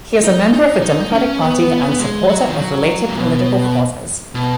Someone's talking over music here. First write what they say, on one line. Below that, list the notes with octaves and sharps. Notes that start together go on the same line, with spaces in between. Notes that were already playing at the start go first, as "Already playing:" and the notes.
He is a member of the Democratic Party and supporter of related political causes.
D#4
D#4
D#4
C#4
B3
G#3
F#3
D#3
F#3
G#2
B2
B2